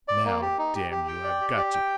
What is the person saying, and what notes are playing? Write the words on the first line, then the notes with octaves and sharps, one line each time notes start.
"Now, damn you, I've got you!"
D5
A#3
G4
D#4
G4
G4
G5
D5
G4
G4
G5